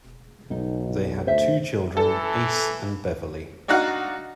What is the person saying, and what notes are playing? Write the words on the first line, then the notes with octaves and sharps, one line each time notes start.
They had two children, Ace and Beverly.
B1 D#4
D2 C5 E5
E3 A4
D4 D#4 F#4 F5 F#5